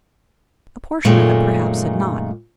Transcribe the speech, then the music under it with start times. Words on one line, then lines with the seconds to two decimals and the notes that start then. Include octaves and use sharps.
A portion of it perhaps had not.
1.05 F#2 A#2 D#3 G#3 A3